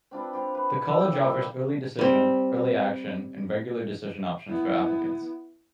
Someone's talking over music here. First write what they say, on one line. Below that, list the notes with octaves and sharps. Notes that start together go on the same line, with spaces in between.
The College offers Early Decision, Early Action and Regular Decision options for applicants.
C4 D4 F4 B4
G4 C5 F5
B4
E4 A4 D5 E5
A#3 C4 G4 G5
A#2 F3 G3
G3 C4
B3 E4